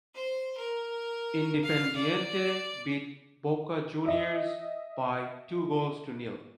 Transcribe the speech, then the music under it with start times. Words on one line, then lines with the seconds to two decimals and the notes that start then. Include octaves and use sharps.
Independiente beat Boca Juniors by two goals to nil.
0.14 C5
0.57 A#4
1.63 F5
1.96 D5
4.06 D#5 E5